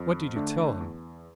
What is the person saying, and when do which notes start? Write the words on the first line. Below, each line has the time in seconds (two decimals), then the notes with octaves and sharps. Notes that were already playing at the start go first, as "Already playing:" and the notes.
"What did you tell him?"
Already playing: F2
0.36 D3 A3 D4
0.81 E2